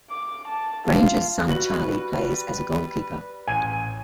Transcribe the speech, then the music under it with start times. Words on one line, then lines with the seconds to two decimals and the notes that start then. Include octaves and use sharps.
Grainger's son Charlie plays as a goalkeeper.
0.10 D6
0.48 A5
0.87 F4
1.48 G3 F#4 B4 F#7
3.48 A1 G#5 D#7